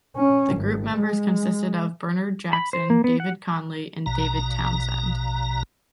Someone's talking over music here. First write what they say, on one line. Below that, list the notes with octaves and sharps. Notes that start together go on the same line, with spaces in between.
The groups members consisted of Bernard Jackson, David Conley and David Townsend.
C#4
G#1
G#3
B5
C5
A#3
B3
F#5
A#1 B2 A#5